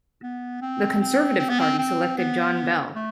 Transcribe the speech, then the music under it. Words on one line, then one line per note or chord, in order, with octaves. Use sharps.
The Conservative Party selected John Bell.
B3
C4
C4
C4
B3
C4
C4
B3
A3